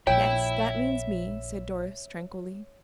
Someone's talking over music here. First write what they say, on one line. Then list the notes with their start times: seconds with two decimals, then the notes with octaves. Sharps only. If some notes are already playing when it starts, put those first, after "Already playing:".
"Yes, that means me," said Doris, tranquilly.
0.07 A#1 C#5 E5 G5 B5